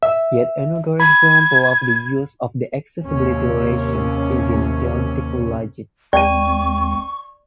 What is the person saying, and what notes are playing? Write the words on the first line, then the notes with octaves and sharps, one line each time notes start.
Yet another example of the use of the 'accessibility relation' is in deontic logic.
E5
B5 G#6
D#2 C3 C#4
D#2 G#3 C4 D5 G5 C#6 D#7